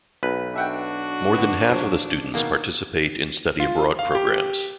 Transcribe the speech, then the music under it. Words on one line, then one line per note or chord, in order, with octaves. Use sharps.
More than half of the students participate in study abroad programs.
B1 B4
D4 F#4 E5 F#5 G5
D3 B3
F3 F#3
B2 D#3 A#3
F4
F5
G4